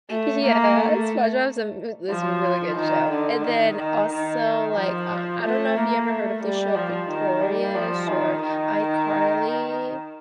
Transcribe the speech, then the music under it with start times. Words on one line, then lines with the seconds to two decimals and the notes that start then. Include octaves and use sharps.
Yeah. SpongeBob's a m is a really good show, and then also, like, um, I don't know if you ever heard of the show Victorious or iCarly?
0.10 A3
0.44 A#3
0.77 A3
2.10 F3
2.76 D#3
3.10 D3
3.43 D#3
3.76 D#3
4.09 D#3
4.76 F3
5.43 A3
5.76 A#3
6.09 A3
6.43 G3
6.75 F3
7.09 D#3
7.42 G3
7.75 F3
8.08 D#3
8.42 D#3